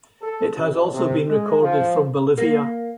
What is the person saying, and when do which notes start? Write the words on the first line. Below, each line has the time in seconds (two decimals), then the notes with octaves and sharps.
It has also been recorded from Bolivia.
0.21 A4
0.54 A1
0.91 C3
1.28 G#3
1.61 F3
2.38 A#3